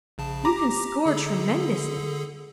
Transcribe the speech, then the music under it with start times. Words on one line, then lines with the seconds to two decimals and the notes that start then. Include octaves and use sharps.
You can score tremendously.
0.18 A#1 C#3 A5
0.45 G4 A#5 D6
1.06 D3 G#4 A4